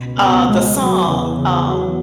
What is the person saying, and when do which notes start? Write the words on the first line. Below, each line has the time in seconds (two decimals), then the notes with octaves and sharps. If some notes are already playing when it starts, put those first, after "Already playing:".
uh, the song, um
Already playing: C#2 B2
0.20 B3
0.48 G#3
0.78 F#3
1.06 E2 C#3 E3
1.36 C#3
1.65 F#3